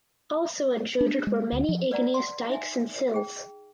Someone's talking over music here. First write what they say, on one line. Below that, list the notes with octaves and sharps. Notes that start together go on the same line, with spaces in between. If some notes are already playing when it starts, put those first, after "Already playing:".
Also intruded were many igneous dikes and sills.
D4
G#3
D2
F3
B4 D5 F#5 A#5
C6
D#4 E5 G#5
G#4 G5